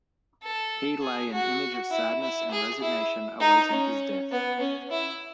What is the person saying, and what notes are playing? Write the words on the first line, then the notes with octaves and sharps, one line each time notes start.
He lay an image of sadness and resignation awaiting his death.
A4
G#4
F#4
E4
E4
G#4
E4
D#4
C#4
B3
C#4
E4